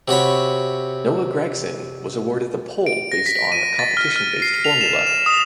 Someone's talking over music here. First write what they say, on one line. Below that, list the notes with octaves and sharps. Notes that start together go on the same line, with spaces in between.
Noah Gragson was awarded the pole based on competition based formula.
C3 F#4 C#5 B5
D7
A#6
B6
D#7
A6
F6
F6
C7
F7
E7
E7
D#6